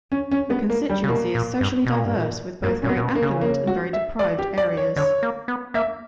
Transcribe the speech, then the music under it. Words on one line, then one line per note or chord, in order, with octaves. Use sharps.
The constituency is socially diverse, with both very affluent and very deprived areas.
C#4
C#4
B3
A#3
G3
C#3
B2 A#3
A#2
G2
B2
A#2
G2
A#2
G2 A#3
A#2 C#4
B3
A#2
B2
A#3
C#3
A#3
F#4
E5
D5
G4
D5
C#5
D3 C#5
A#3
B3
A#3 E5